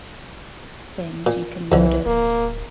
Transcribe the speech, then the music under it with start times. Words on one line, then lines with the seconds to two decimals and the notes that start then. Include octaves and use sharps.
things, you can notice
1.26 A#2
1.72 C2 F2 D3 E3
2.06 D1 A#3